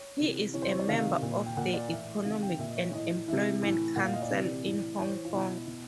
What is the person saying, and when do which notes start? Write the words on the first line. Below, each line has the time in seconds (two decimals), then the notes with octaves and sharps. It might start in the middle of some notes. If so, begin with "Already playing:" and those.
He is a member of the Economic and Employment Council in Hong Kong.
Already playing: C#5
0.20 C3 E3
0.54 C3 E3 C#5
0.62 C5
0.71 C#5
0.79 D5
0.88 C3 D#3 F5
1.22 A#2
1.46 G5
1.57 A#2 F#5
1.74 D5
1.90 A2 E3 E5
2.25 C3 D#3 F5
2.42 G5
2.59 A#2 E5
2.68 D#5
2.76 C#5
2.93 A2 E3 D#5
3.28 C3 E3 E5
3.62 A2 E3
3.96 A#2 F#5
4.05 F5
4.14 D#5
4.22 D5
4.31 C3 E3
4.65 A2 E3
4.99 A2 E3 C#5
5.08 C5
5.25 F4
5.33 B2 E4
5.67 B2